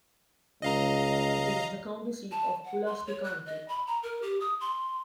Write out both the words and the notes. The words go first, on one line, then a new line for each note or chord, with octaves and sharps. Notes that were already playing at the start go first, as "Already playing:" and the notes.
It is the county seat of Pulaski County.
C#2 D#5 F5 A#5
A5
F#5
C6
C#5
F#6
D#5
B5
A#5
A#4
G4
D#6
C6